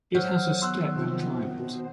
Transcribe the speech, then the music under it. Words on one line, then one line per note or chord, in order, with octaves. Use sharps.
It has a steppe climate.
F#3 C5 F6 G6
D#3 B3 C6 E6 F#6
C3 F3
B2 C5